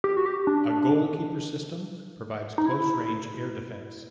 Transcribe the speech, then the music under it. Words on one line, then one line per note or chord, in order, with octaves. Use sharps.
A Goalkeeper system provides close-range air defence.
G4
F#4
G4
D4
D#4
E4